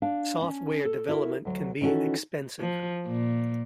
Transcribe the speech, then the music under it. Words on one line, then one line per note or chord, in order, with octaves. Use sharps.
Software development can be expensive.
D4 F5
C#4
A4
E4 F#4 A#4
D2 F#3
D#3 E3 C#4 E4 F#4 A4
F3
A#2